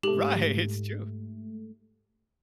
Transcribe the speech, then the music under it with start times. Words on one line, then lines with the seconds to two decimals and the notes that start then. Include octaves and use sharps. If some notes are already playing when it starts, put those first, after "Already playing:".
Right. It's true.
0.03 G#2 A3 G4 F#7